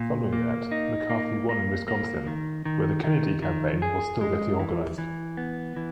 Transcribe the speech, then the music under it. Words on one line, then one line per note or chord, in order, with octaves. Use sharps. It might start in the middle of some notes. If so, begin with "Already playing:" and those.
Following that, McCarthy won in Wisconsin, where the Kennedy campaign was still getting organized.
Already playing: A#2
A#3
D#4
A#3
A#3
A#3
D#3
D#3
D#3
D#3
G#4
G#3
E3
E3
B3
E3